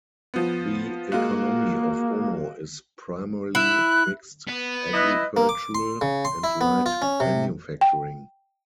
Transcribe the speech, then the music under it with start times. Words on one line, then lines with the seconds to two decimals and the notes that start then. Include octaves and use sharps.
The economy of Ono is primarily mixed agricultural and light manufacturing.
0.34 F3 B3
1.12 G#3 A#3 F4 F#4
3.55 E4 F#6
4.48 B3
4.94 E4 B4 D#5
5.37 A#3
5.49 D6
5.75 C6
6.01 C#3
6.25 C6
6.44 E4
6.61 B3
6.86 F4
7.02 C#4
7.20 C3
7.81 G5